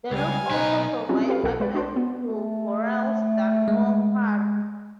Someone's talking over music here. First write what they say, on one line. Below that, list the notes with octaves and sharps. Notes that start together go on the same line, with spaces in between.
The loop also provides access to Boral's Dunmore Quarry.
C#2 G3 F5 G#5
B1 D#4 B4
F#3 G3 C4 C#4 E4 F4
G4 A4 B4 F5
B1 G4 A4 A#4 F#5
G#3 B4 D5
D4 F#4 C5 D5
B3
A3
G#3